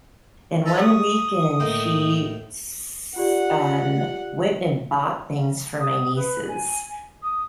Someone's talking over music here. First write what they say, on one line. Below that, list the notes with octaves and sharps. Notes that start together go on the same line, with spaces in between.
and one weekend, she's um, went and bought things for my nieces
A4 B4 D#5 A#5
C#6 D#6
A2 A#3 D#4
F4 G4 D5 F#5
D#6
B4
G#5
D#6